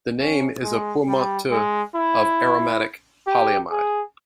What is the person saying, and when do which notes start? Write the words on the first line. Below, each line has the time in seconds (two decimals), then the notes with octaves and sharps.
The name is a portmanteau of "aromatic polyamide".
0.19 C#4
0.63 G#3
1.08 G3
1.51 G#3
1.95 E4
3.27 G4
3.71 G#4